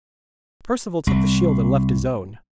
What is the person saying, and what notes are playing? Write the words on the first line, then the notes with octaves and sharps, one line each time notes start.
Perceval took the shield and left his own.
C2